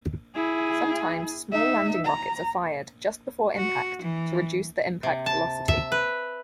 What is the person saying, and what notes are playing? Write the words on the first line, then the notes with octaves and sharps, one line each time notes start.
Sometimes small landing rockets are fired just before impact to reduce the impact velocity.
E4 G#4
D#4 E5
A#5
F#4
E3
C3
A5
E5
B4